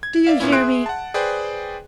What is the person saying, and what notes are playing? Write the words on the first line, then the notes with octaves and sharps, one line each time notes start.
Do you hear me?
G#6
D5 E5 F5
A#2 B3 C#4 E4
G#4 E5 C6 F#6 D7
F#5 A5
G#4 B4 C5 D5 G5